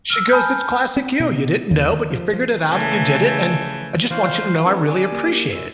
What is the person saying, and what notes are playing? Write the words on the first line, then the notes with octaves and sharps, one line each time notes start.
She goes, it's classic you. You didn't know, but you figured it out and you did it, and I just want you to know I really appreciate it.
E6 F6
G#5 A5 B5 F6 G6
C4
B2
D#2
D#3
F3
F3
C#3 E3 A3 G#5 A5 G6
E3 A#3 F4 F#4 C5 F5
E3 B3 C#4 G#4
D4 G4 G#5 D6
A#3
F#2 E6